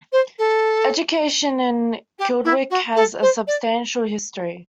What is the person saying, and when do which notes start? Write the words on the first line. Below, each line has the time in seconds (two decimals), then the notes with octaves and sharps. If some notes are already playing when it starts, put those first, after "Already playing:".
Education in Kildwick has a substantial history.
0.12 C5
0.38 A4
2.18 G4
2.44 E4
2.70 F#4
2.95 A4
3.21 C5
3.47 D5